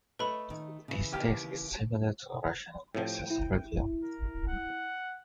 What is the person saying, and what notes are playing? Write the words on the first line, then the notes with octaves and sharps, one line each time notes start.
This test is similar to rational basis review.
A3 B4 C#5 D#5 B5
D#3
C#3 E3
D#2 G4 F6
A2 C3 F3 G5
E4
A#4
F#5